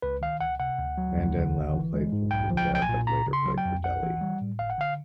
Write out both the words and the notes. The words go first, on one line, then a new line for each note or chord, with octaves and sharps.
Madan Lal played for Punjab but later played for Delhi.
C#2 B4
D#3 F5
C#2 F#5
C3 F#5
D2
F#3
D2
D3
G#1
E3
G#3
G#2
B1 G5
F3
G5
B1 G5
G#5
A#2
G1 A#5
C#3
C6
F#3
G5
F2
B1 F#5
E3
G3
A2
G1 F5
F#5
D3 F5